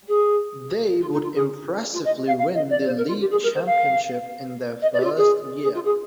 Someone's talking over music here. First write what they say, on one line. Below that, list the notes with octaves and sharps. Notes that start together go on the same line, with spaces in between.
They would impressively win the league championship in their first year.
G#4
F4
D#4
F4
G#4
F4
D#5
F5
F5
D#5
D5
C5
A#4
F4
G4
G#4
A#4
C5
F5
D#5
D5
G4
F4
G#4
G#4
F4
G#4